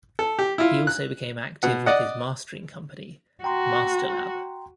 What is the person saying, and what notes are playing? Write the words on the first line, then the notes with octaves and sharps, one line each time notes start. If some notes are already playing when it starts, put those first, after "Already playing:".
He also became active with his mastering company, Masterlab.
A4
G4
E4 F4
F#6
B2 F#5
D5 D#5 F#5
F#4 G5 A#5 C6